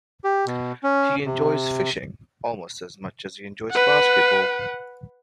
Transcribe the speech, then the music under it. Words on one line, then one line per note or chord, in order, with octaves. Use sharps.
He enjoys fishing almost as much as he enjoys basketball.
G4
B2
C#4
C3
B4 F#5